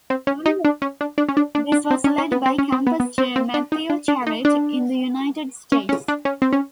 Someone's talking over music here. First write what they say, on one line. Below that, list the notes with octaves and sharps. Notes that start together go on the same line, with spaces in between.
This was led by campus chair Matthieu Charette in the United States.
C4
C#4
D#4
D4
C#4
D4
D4
C#4
D4
D4
D4
C4
C#4
C#4
B3
C4
C#4
C4
B3
B3
C4
C4
D4
D#4
D4
D4
D#4
D4
C#4
C#4
D4
C#4
C4
C#4